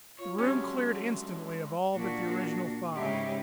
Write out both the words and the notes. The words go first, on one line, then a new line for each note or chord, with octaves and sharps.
The room cleared instantly of all but the original five.
F4 C#5
D3 F#3 G#3 A3 C#4 G4
A#2 A#3 D4 F#4
G#2 C#3 G#3 D#4 E4 G4